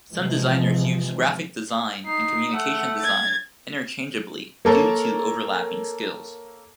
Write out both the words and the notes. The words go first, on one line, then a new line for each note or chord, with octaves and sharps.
Some designers use graphic design and communication design interchangeably due to overlapping skills.
C3 E3 F3 G#3
D#4 C7
A3 F#5
G#6 A6
A#3 A4 A#4 C#5